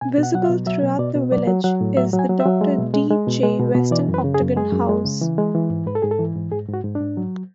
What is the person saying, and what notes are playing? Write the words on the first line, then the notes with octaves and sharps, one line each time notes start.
Visible throughout the village is the Dr. D. J. Weston Octagon House.
B2 G#5
B2
F#5
F#3 F#5
E5
B2
F#3 E5
B2
B2 D5
B2
F#3 D5
F#3
F#3 F#5
A2
F#3 E5
F#3
G#5
F#3
E5
F#3
G#3
B2
G#3
G#3
B2
G#3
B2
B2
E3 D5
F#2
B4
C#3
G#4
F#2
G#3 G#4
F#2
G#3
C#3
E3
G#3
E3
G#2
G#2 B4
A4
G#2 G#4
A4
E3
G#2
G#2 G#4
G#2 F#4
G#2
D4
G#2
F#3